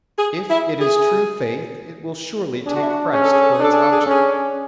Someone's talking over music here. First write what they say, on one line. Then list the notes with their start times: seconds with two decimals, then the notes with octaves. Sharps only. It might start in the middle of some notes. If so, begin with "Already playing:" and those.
If it is true faith it will surely take Christ for its object.
0.17 G#4
0.49 E4
0.79 G#4
2.66 D4 G#4
2.74 F#4
2.82 E4
2.89 F#4
3.12 C#4 G#4
3.22 A4
3.32 G#4
3.42 A4
3.51 G#4
3.60 D4 A4
3.71 G#4
3.81 A4
3.90 G#4
3.99 A4
4.06 C#4 G#4